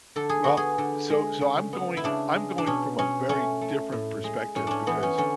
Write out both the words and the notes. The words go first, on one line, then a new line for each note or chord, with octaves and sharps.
Well, so so I'm going I'm going from a very different perspective because,
D3 A4
G#4
B3 F#4
G#4
D3
G#3
C#3
B3
E4
C#3 D4
G#3
D4
B2 C#4
B2 C#4
A3 C#4
A3
A2
G#3
A2 C#4
C#4 D4
E3 B3
C#4
D3 C#4